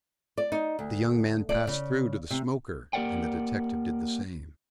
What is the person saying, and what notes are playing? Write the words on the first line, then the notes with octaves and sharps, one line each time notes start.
The young man passed through to the smoker and the detective did the same.
D5
D#4
D2
D5
C#3
C3
A#3 G4 A#4 D5 F#5 G5